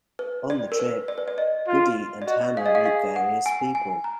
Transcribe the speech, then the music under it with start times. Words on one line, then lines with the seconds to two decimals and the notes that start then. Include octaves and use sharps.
On the trip, Goody and Hannah meet various people.
0.19 B4
0.50 D5
0.72 A#4
0.79 B4
1.08 D5
1.18 B4
1.28 D5
1.38 D#5
1.68 F4
2.22 D5
2.27 F#4 D#5
2.56 G#4 F5
2.66 D#5
2.75 F5
2.86 F5
3.16 F#5
3.46 G#5
3.75 G#5
4.04 A#5